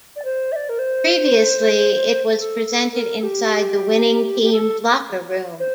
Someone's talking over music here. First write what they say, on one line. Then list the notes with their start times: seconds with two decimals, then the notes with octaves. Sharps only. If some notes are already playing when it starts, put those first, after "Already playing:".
Previously, it was presented inside the winning team's locker room.
0.16 D5
0.25 C5
0.52 E5
0.56 D5
0.69 A#4
0.79 C5
2.39 A4
2.92 A#4
3.19 A4
3.23 G4
4.42 G4
4.53 A4
5.60 C5